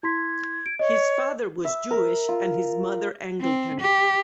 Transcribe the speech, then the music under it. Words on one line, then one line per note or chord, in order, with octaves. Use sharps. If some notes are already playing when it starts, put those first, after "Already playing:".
His father was Jewish and his mother Anglican.
E4 C6 G#6 B6
D7
C#5 D#5
E5
A#4
F4
C4
G4